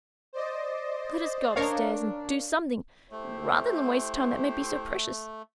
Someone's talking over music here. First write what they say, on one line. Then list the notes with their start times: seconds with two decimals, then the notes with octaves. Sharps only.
Let us go up-stairs, and do something, rather than waste time that may be so precious.
0.33 C5 D5 D#5
1.56 D4 A#4 C#5 F5
3.12 A3 E4 G4 C5